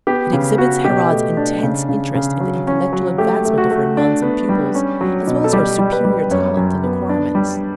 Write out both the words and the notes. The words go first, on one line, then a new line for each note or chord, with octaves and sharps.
It exhibits Herrad's intense interest in the intellectual advancement of her nuns and pupils as well as her superior talent and acquirements.
B3 G4
C#3
B3 F#4
B2 G4
A3
D4
C#3
C#3
C#3
F#3
C#4
F#3
A3 G4
A3
F#4
A3
D4
B3
G3
C#4
F#3
B2
A4
G3 G4
G3
B4
G3
F#2 C#5
F#2
B3
D4
G3